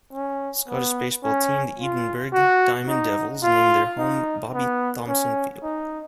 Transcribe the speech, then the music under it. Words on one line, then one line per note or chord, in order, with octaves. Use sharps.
Scottish baseball team, the Edinburgh Diamond Devils, named their home Bobby Thomson Field.
C#4
B3
C#4
F4
F#4
D#4
F4
D#4
B3
C#4
D#4